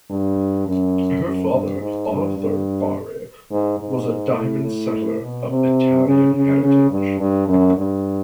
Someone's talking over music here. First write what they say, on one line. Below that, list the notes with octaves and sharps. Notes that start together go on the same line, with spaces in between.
Her father, Arthur Bari, was a diamond setter of Italian heritage.
G2
F#2
F#2
G2
G#2
G2
G2
G#2
G#2
A2
A2
B2
C3
C#3
C#3
C#3
G2
G2
F#2
G2